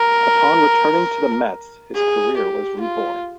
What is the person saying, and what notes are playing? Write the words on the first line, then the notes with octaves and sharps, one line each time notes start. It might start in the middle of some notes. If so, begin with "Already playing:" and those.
Upon returning to the Mets, his career was reborn.
Already playing: A#4
G#4
G4
F4